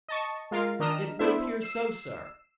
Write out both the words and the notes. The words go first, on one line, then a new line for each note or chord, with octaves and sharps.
"It would appear so, sir."
D#5 A5 C#6
G#3 F4 A#4 F5
D#3 D4 D#5 A#5 F6 E7
B3 D4 E4 C5 E5
E6 C7 E7